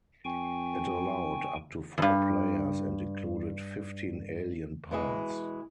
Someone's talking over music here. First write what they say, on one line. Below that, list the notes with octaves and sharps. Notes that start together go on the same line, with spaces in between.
It allowed up to four players and included fifteen alien powers.
F2 G5 G#5 C#6
E2 G2
B2 E3 G#3 G#4